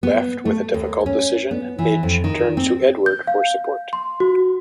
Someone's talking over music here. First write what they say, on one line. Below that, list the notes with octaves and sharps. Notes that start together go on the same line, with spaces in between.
Left with a difficult decision, Midge turns to Edward for support.
B3
A3
D#2
C#4
B3
E3
F2
D#3
C4
G6
F5
C6
F#4